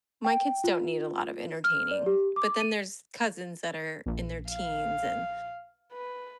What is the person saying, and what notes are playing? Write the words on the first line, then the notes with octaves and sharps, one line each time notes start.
My kids don't need a lot of entertaining, but then there's cousins that are in their teens, and
G5
F4
F6
D5
G4
D6
D#7
A#1
F5
B4